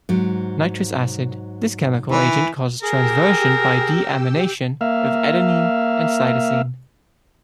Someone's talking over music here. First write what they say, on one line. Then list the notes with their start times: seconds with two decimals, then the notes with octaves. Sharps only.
Nitrous Acid - This chemical agent causes transversion by de-amination of adenine and cytosine.
0.09 G#2 F#3
2.09 D#3 E3
2.83 G4 G#4 A#4 G5 E6
4.81 A#3 E5 F5